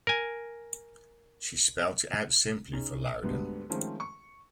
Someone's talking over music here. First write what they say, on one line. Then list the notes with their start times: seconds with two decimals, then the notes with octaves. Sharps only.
She spelt it out simply for Louden.
0.07 A#4 G#5
2.73 C#4 D#4 G#4
3.22 D2 G#2 D3 G3 B3
3.70 D#3 F3 G#3 A3 C4 C#4
4.00 C#6